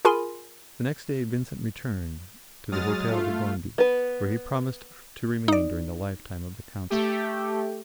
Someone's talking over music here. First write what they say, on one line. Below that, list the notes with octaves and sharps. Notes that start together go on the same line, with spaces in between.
The next day Vincent returned to the Hotel de Gondi, where he promised to remain during the lifetime of the Countess.
F4 G#4 A#4 G#5 B5 C6
F#3 G#3 D#6 F6 A6
A3 F4 F5
B3 B4
D#4 D5
A3 G4